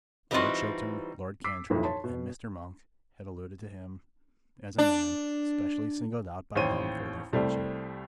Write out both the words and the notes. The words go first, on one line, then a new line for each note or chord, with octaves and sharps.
Lord Chiltern, Lord Cantrip, and Mr. Monk had alluded to him as a man specially singled out by them for their friendship.
E3 G3 C4 D#4 F4 F#4
D6 E6 B6 C7
B1 F2 A#2 E3
C#5 A5 C6
B2
D4
A1 D#2 C5 C#5 D#7
C2 G3 A3 C5 D5